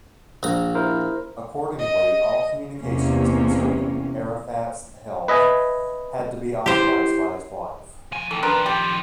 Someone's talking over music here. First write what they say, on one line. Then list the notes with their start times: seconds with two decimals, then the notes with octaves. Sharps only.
Accordingly, all communications concerning Arafat's health had to be authorized by his wife.
0.43 A#1 A#5
0.75 E4 A#4 C5
1.79 D#5
2.78 E2 C3 A#3 C#4
5.28 B4 D#5 E5 G#5
6.66 E4 G4 C5
8.12 F3 G#5
8.31 D#3 E3 A4
8.43 D#3 F3 D4 A#4 B4
8.66 G3 G4